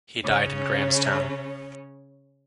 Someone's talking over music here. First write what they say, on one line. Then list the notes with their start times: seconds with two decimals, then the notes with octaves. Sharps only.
He died in Grahamstown.
0.23 C#3 C#4